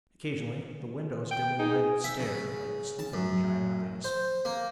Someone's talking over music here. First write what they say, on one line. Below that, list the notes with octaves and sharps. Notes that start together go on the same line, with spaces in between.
Occasionally the windows, dimly lighted, stared like sleeping giant eyes.
G5
D#4 G#4
E5
C#3
A5
F#2
C5
A#3